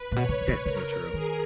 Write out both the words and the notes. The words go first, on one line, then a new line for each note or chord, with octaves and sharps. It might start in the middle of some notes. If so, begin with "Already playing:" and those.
That's so true.
Already playing: B4
A#2
B2 C#5
C#3
C#3
D#3
C#3
C#3 A#4
D#3 G#4